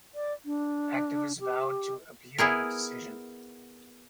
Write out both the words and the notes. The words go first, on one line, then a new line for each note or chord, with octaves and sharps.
Activists vowed to appeal the decision.
D5
D4
G4
B3 E4 G#4 A#4